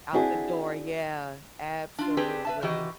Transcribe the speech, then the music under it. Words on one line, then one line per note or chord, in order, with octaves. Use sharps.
Out the door. Yeah, absolutely.
C4 D4 E4 F#4 G#4
D4 F4
C4 D4 G4 G#4 B4
B4 E5 A5
D#3 E3 F#4 G4 D#5